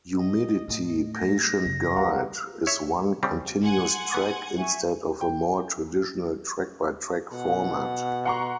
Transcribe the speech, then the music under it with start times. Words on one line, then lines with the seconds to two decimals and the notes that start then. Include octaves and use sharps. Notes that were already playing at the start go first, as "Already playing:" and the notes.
"Humidity Patient Guide" is one continuous track, instead of a more traditional track-by-track format.
0.16 D#5
0.68 A2 A3
1.14 A#6
1.65 F#2 C#3
1.97 D2 G3 B3 F5 F#5 A#5
2.67 C#5 E5
3.23 C#3 G3 C4
3.63 F#5 G#5 C6 G#6
4.14 B3
4.57 E5 G#5 C#6
5.21 G5
7.33 B2 F#5
8.26 F#5 A#5 C6 C#6